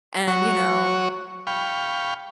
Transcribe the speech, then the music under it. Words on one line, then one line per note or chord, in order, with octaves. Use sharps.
And, you know,
F#3 F#4 C#5 C#6
F5 G5 B5 C#6